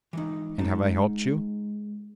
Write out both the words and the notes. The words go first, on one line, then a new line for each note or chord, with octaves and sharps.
"And have I helped you?"
E3 G#3 D#4
G#3 D#4 A5